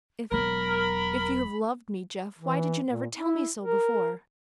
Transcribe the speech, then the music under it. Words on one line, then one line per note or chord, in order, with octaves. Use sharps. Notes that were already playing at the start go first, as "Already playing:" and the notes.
"If--if you have loved me, Jeff, why did you never tell me so before?"
E1 F#3 A#4 B5
E3
A#2
E4
A#4